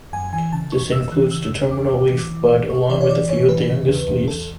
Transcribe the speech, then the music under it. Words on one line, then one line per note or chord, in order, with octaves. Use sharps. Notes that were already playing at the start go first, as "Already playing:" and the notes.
This includes the terminal leaf bud along with a few of the youngest leaves.
F#2 G#5
E3 G#5
C#3 A5
E2 C#6
E2 E6
E3 F#6
C#3 E6
E2
E2 D6
A2
E3
E3
A2
G#2 C#6
E3 D5
C#5
E3 D5
G#2 C#5
E3 B4
C#3
E2
E2
E2 A4